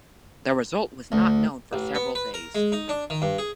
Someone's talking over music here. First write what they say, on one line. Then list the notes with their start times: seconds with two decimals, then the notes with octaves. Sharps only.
The result was not known for several days.
1.12 D2
1.73 A1
1.95 B3
2.15 B4
2.34 A#4
2.55 G#3
2.72 D#4
2.89 D4
3.10 D#3
3.22 G2
3.38 G#4